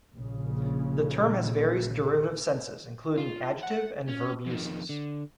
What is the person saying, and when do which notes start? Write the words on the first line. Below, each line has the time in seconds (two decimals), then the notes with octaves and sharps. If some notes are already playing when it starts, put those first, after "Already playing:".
The term has various derivative senses, including adjective and verb uses.
0.16 A#1 C#3
3.18 F4
3.63 F#5
4.08 C#4
4.46 F2 D#3
4.89 D3